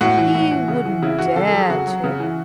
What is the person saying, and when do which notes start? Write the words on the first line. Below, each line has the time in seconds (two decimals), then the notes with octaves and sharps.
He wouldn't dare to.
0.01 A2 F#4
0.18 E3
0.35 A2
0.51 E3
0.68 C#3
0.85 E3
1.02 C#3 E4
1.19 E3 F#4
1.36 C#3 A4
1.47 A4
1.52 F#3
1.58 G#4
1.69 C#3 F#4
1.87 F#3
2.04 C#3
2.20 E3